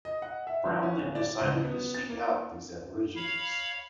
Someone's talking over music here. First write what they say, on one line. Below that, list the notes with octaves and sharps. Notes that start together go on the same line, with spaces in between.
Brown then decided to seek out these Aborigines.
D#5
F#5
E5
F3
C#4
D1
D5
C#2
B3
A6
A#3
C#5 F5 B5